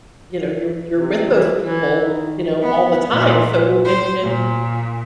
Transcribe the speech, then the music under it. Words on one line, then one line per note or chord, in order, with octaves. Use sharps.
you know, you're you're with those people, you know, all the time. So, and and,
C3
E3
E3
D#3
B3
A#2
C5
A#2